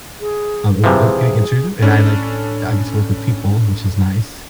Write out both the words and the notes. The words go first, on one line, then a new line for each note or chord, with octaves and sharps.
I'm, uh, uh, getting introduced to it and I like I get to work with people, which is nice
G#4
C3 E3 F3 G#4
A2 C#4 D4 A4 B5